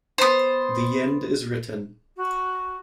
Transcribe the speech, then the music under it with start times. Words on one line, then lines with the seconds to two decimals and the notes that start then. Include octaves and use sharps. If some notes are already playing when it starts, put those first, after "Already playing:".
The End Is Written.
0.18 B3 C5
2.17 F#4